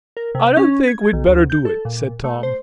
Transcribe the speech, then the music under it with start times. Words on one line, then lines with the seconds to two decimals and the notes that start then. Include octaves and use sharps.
"I don't think we'd better do it," said Tom.
0.17 A#4
0.35 C3
0.57 C#4
0.88 G#6
1.13 B1
1.28 D2
1.50 G6
1.65 A4
1.85 A#2
2.24 A3
2.43 C5